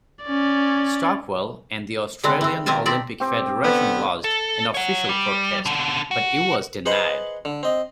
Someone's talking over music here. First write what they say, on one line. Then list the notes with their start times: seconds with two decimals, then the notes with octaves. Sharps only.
Stockwell and the Australian Olympic Federation lodged an official protest, but it was denied.
0.25 C#4 D5
2.24 D3 G#3 B3 C4
2.41 E3 C4
2.66 B2 D#3 C4 G4 G#5 A5
2.86 C4 D#4 D5 E5
3.20 C4 G4
3.64 D3 B3
4.24 A4
4.74 C#5 F#5
5.09 G3
5.66 B2 D3
6.11 F#4
6.86 G#4 B4 C5 D#5 F#5
7.45 D3
7.63 C4 D#5